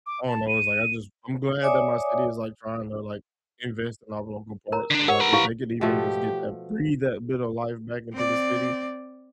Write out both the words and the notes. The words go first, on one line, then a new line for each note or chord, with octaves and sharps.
I don't know, it's, like, I just I'm glad that my city is, like, tryna, to like, invest in our local parks, it's, like, if they could even just get that breathe that bit of life back into the city,
D6
A5
D#7
C#5 D5 E5 G#5 D6 D#6
A#4 A#5
D3 D4
G4 A#4 C#5 F#5
B4 A#5
E4 G4 F5
B2 F3 A3 G4
C4 D5